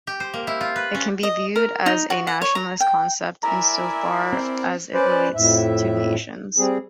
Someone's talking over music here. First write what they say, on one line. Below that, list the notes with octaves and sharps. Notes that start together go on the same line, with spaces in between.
It can be viewed as a nationalist concept, insofar as it relates to nations.
G4
C5
A#3
E4
F4
B4
C#4
D#5
A#4
D#4
F#4
F#5
C#5
A#5
G5
E4 A#4 D5 E5 G#5 A#5
C4
C#4 B4 C5 D5
F2 A2 E5
G3 C4 G#4